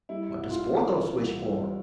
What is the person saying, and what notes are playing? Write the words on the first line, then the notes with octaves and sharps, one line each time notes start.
"What does Porthos wish for?"
G3 E4
C2
F4
E3
E3
C2
G3